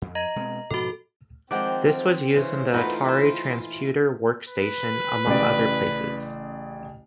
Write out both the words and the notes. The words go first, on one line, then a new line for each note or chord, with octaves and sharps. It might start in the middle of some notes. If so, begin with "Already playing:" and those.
This was used in the Atari Transputer Workstation, among other places.
F2
D#5 A#5 A#6
B2 G#3 C4
G#2 B2 F3 F#4 A4
D#3 F3 G#3 C4 D5 F#5 G5
C#3 E3 C#4 C5
E3 A3 D#4 F4 F#4 B4
E4 C5
B4
A1 C#3 D5